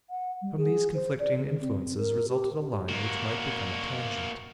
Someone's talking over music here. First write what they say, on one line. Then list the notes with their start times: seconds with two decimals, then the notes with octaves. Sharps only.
From these conflicting influences resulted a line which might become a tangent.
0.10 F#5
0.42 G3
0.58 G#4
0.94 C5
1.19 D5
1.38 C#3
1.61 C4
1.97 A#4
2.29 G4
2.89 A#3 F#4